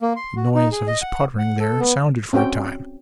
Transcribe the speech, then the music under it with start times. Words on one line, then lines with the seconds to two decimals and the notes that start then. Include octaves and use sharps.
The noise of his puttering there sounded for a time.
0.01 A#3
0.16 C6
0.36 F#4
0.55 D#4
0.72 G#4
0.88 D#5
1.02 F#5
1.39 F#5
1.59 A4
1.79 B3
2.33 C4 C#4 F#4 G5